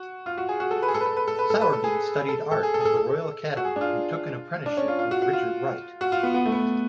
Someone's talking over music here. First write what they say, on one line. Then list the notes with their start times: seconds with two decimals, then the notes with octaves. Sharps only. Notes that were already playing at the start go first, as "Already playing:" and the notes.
Sowerby studied art at the Royal Academy and took an apprenticeship with Richard Wright.
Already playing: F#4
0.26 F4
0.37 F#4
0.49 G#4
0.60 F#4
0.71 A4
0.82 B4
0.88 G#4
0.94 A4
1.00 B4
1.06 A4
1.17 B4
1.28 A4
1.39 B4
1.50 A4
1.61 B4
1.73 A4
1.84 G#4
2.29 A4
2.51 A4
2.63 G#4
2.74 A4
2.80 G#4
2.85 A4
2.97 A4
3.57 F#4
3.65 G#4
3.76 D4
3.81 F4
4.66 D4
4.77 C#4
4.88 F4
4.99 F4
5.11 F#4
5.22 F#4
5.33 F4
6.01 F#4
6.12 F4
6.23 B3
6.34 B3
6.46 A3
6.52 B3